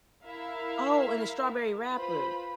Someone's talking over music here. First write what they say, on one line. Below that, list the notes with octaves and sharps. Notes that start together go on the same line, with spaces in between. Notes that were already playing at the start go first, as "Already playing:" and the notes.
Oh, in a strawberry wrapper.
E4 A#4 E5 F5
F4 B4 C5 B5